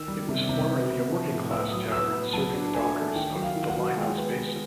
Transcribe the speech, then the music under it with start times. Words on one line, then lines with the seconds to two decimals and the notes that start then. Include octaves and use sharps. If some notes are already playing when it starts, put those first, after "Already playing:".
It was formerly a working-class tavern serving the dockers of the Limehouse Basin.
Already playing: D#3 E6
0.08 G3
0.29 C3
0.49 C3
0.70 B3
0.90 B3
1.10 F3
1.31 A2
1.51 B3 E6
1.72 F#3 D#6
1.92 B3 E6
2.13 B3
2.33 F#3 A5
2.54 D4
2.74 A3 G#5
2.95 A3
3.15 D#3 G5
3.36 F#3
3.42 F5
3.56 D#3
3.69 F#5
3.76 F#3
3.97 G#3 G5
4.17 B3
4.38 B3